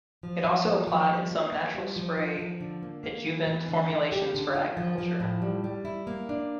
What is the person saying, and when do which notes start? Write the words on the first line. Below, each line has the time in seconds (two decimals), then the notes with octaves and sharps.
It is also applied in some "natural" spray adjuvant formulations for agriculture.
0.23 F3
0.44 F3
0.66 A#3
0.87 F3
1.10 G3
1.31 A#3
1.52 A#3
1.75 G3
1.96 F3
2.17 F4
2.39 F3
2.60 D3
2.83 A#3
3.04 A#3
3.26 E3
3.47 E3
3.69 D3
3.90 A3
4.12 G4
4.34 D3
4.55 F4
4.77 F3
4.98 F3
5.20 A2
5.42 G3
5.64 G3
5.85 E4
6.07 A#3
6.29 D4